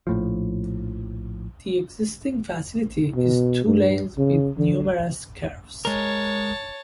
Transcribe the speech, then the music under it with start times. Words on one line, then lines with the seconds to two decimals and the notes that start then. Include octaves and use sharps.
The existing facility is two lanes with numerous curves.
0.07 A#1 A2 F3
3.15 B2
3.66 G2
4.18 C#3
4.58 D3
5.85 G#3 A#4 C#5 A5